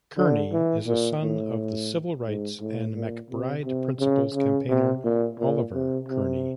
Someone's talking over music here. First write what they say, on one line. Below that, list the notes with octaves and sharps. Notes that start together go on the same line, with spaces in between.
Kearney is a son of the civil rights and MacBride Principles campaigner Oliver Kearney.
D3
E3
A#2
A2
G#2
A2
A#2
C3
C3
C#3
C#3
C3
A#2
A#2
C3
C3